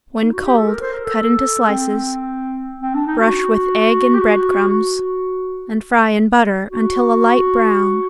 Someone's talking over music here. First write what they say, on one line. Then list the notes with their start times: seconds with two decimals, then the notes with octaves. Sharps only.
When cold cut into slices, brush with egg and bread crumbs and fry in butter until a light brown.
0.21 D#4
0.33 F#4
0.45 G4
0.56 A4
0.68 A#4
0.81 C5
0.93 A#4
1.05 A4
1.69 C4
2.81 C4
2.94 D4
3.06 D#4
3.20 F#4
4.14 G4
4.19 F#4
4.70 F#4
6.70 F#4